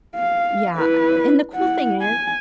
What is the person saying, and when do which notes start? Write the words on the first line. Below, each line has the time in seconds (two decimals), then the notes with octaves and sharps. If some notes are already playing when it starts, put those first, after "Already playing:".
Yeah, uh a and the cool thing is
0.16 F5
0.77 E4 B4
1.53 E4 F#5
2.01 G#5